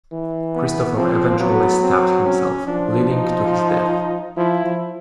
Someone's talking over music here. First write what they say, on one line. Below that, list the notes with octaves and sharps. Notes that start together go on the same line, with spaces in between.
Christopher eventually stabbed himself, leading to his death.
E3
B3
F3 C4
F#3 B3
C4
C#4
F3 D4
D#4
F3 E4
F3